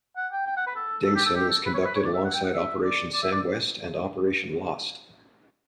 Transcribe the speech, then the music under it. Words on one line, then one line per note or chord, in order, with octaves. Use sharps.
Dingson was conducted alongside Operation Samwest and Operation Lost.
F#5
G5
G5
F#5
B4
A4
A4
G4
A4
G4
A4
B4
C#5
B4
C#5
D5
E5
F#5
G5
F#5
E5
D5
D5
E5
D5